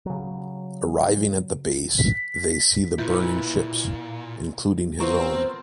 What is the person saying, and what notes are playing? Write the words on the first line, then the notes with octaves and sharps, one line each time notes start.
Arriving at the base, they see the burning ships, including his own.
C#3 F#3
B6
A#2 E4 F4 B4 C#6 G6
B3 C4 F4 A#4 C5 A#5 C#6